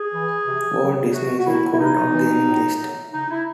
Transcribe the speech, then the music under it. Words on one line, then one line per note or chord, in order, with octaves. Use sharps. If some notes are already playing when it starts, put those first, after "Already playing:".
Walt Disney is included on the Enemy List.
Already playing: G#4
E3
C3
D#3 F#3
C3 F#4
F#4
D#3 F#3 E4
E4
C3 D#4
E3
A2
F#3
C#3 D#4
E4